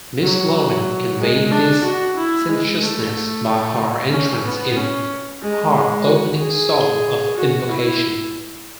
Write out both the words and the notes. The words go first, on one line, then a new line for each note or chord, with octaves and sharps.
Miss Lowen conveyed this sensuousness by her entrance in her opening solo of invocation.
F#3
G#3
D4
F#4
E4
G#3
A3
C#4
B3
C#4
G#3
G#3
F#4
G#4
F#4
E4